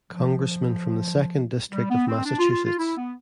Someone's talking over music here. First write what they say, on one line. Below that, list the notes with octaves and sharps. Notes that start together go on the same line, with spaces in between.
Congressman from the Second District of Massachusetts.
F3
G3
B3
C4
D4
F4
F4
F4
E4
B3